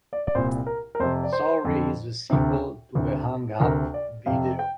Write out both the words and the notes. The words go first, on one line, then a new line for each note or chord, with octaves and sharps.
Sorry is the sequel to the Hung-Up video.
D5
D5
C2 A#2 C5
A#4
A#4
F2 C3 C5
D5
C5
F2 D3
D2 C3
D2 C3
D2 C3 A#4
D5
F2 C3 F5
G5